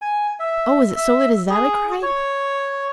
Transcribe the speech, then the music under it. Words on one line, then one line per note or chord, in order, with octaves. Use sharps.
"Oh, is it so late as that?" I cried.
G#5
E5
E5
G#4
C#5